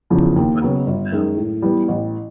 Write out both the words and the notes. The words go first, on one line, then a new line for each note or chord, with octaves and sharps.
But old now.
E2 C#3 F3
D#2
C#3 F#3 B3
G1
F#2 D#3 G#3
A2
E3 G3 B3
A1